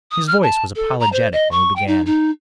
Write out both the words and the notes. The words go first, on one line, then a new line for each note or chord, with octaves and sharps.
His voice was apologetic when he began.
D#6
F6
A5
A4
A#5
C5
D#5
C#6
G5
D#4
D#4